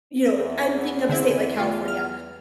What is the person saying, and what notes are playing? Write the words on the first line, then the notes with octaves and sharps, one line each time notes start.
you know, I'm thinking of a state like California,
E2
D3 C4 E4
A3 F4
F6